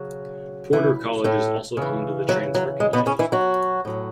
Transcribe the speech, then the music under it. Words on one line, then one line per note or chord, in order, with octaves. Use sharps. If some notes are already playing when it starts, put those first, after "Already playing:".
Porter College is also home to the Transfer Community.
Already playing: C#3 F#3
E3 E4
A2 A3
C#3 E3
F#3
F#3
G#3
B2 B3
C#3 C#4
E3 E4
F#3 F#4
A2 F#3